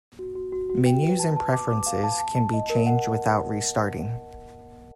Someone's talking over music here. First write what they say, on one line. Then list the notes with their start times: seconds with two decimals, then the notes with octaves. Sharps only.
Menus and preferences can be changed without restarting.
0.19 F#4
0.36 F#4
0.53 F#4
0.70 F#4
0.86 G5
1.03 B4
1.19 A5
1.36 A5
1.53 D6
1.69 D6
1.86 F5
2.04 A5
2.19 A5
2.36 A5
2.54 D#5
2.70 A#4
2.86 F#5